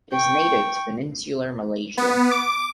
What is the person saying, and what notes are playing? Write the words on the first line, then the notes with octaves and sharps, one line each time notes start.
It is native to Peninsular Malaysia.
G5 C#6
B3
D6